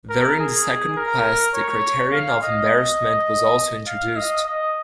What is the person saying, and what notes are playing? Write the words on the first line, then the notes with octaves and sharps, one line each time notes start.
During the second quest the criterion of embarrassment was also introduced.
A#4
G#4
A#4
C#5
F5
D#5
F5
D#5
D#5